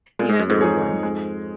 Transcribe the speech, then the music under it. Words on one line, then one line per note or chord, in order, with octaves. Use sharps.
You have a good one.
A#2 G#3
G#2
F#2
F2 G#2
D#4 G#4 C#5
G#3